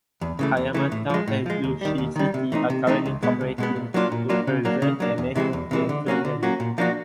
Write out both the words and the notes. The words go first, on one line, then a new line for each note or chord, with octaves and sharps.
Hayama Town and Zushi City are currently cooperating to preserve and maintain the tumuli.
E2
C#3 E3 A3
E2
C#3 E3 A3
A2
F3 G#3
A2
F3 G#3
D#2
D#3 G3
D#2
D#3 G3
C3
E3 A3 C4 D#4
C3
E3 A3 C4 D#4
C#2
B2 G#3 B3
C#2
B2 G#3 B3
A#2
F#3 A#3 D4 F4
A#2
F#3 A#3 D4 F4
C#3
F#3 A#3 D4
C#3
F#3 A#3 D4
E2
C3 E3 G#3 C4
E2
C3 E3 G#3 C4
D3
F#3 A#3 C#4 F#4
D3
F#3 A#3 C#4 F#4
A#2
F3 A#3 D4 F#4